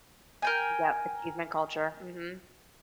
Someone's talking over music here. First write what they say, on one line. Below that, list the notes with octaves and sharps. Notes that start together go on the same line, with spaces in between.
Yep. Achievement culture. Mhm.
A#4 G5 G#5